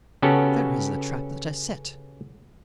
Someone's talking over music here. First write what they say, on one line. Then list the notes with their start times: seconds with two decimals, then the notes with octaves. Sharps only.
There is the trap that I set!
0.22 C#3 B3 C#4 F#4 G4 A4